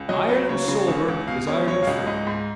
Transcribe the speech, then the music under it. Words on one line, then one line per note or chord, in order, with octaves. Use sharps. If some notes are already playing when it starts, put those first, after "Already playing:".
Ireland sober is Ireland free.
Already playing: C#2
F#3 D#5
F#3 B4
C#3 C#5
C#3
C#2
C#2
B2 F5
C#2 C#5
F#3 C#5
F5
C#2 D#5
G#2 D#5
G#2